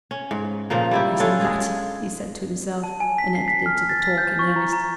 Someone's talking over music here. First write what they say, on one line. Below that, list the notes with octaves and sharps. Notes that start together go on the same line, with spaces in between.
"He's a nut!" he said to himself, and entered into the talk in earnest.
C#4
G#2
A#2 C#3 F3 A#3
G3 E4 G4
C#4 D4 F4 A4
G#3 G#4
A5
G#5
B6
C7
B6
F6
A6
B6
G6
C#6
A#5
A#5